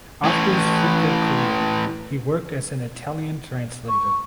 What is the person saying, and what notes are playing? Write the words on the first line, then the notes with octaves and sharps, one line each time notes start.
After his football career he worked as an Italian translator.
A2 E3
C#6